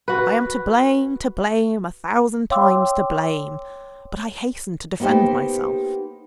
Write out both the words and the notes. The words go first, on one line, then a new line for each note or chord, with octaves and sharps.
I am to blame, to blame, a thousand times to blame, but I hasten to defend myself.
F#4 B4
C#5 F5 G5 C6 D6 E6
A#3 B3 D#4 G4 C5